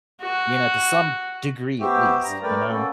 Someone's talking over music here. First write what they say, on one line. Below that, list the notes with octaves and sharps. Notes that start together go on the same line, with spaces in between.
You know, to some degree at least, you know
F#4
B3 F#4 G4 C5 E5 G5
G2 A#5
A3 A#4 B4 D5 G5
A#3 C#4 F#4 A4